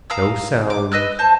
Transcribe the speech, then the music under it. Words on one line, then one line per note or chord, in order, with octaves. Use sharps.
No sound.
F5 A#5 D#6 E6
D6
B4 D#5 E6 F#6
C5 A5